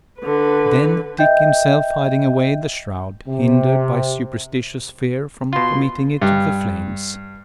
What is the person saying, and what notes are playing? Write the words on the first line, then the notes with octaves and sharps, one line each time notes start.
Then, Dick himself hiding away the shroud, hindered by superstitious fear from committing it to the flames.
D3 B4
D#5 E5 G5 G6
C3
B2 F4 C6
G2